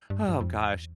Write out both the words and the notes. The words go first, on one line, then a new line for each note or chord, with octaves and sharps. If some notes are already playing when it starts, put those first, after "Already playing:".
Oh, gosh.
G2
G2
F2
E2